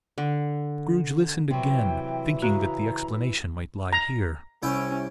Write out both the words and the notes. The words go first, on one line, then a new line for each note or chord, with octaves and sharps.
Scrooge listened again, thinking that the explanation might lie here.
D3
C3 E3 F#3 E4 G5
C#3 F#4 A#5
A#5
C2 C#4 E4 G5